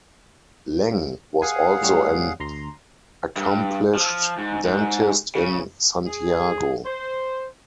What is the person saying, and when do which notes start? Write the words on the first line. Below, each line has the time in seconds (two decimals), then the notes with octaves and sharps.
Leng was also an accomplished dentist in Santiago.
1.42 G#4 F5 F#5 G#5
1.81 A2 G3 C#4
2.40 D2 A#5 C6
3.37 G2
3.95 F3
4.38 G#2
4.65 G#2
5.35 C#3
6.06 G#4
6.85 C5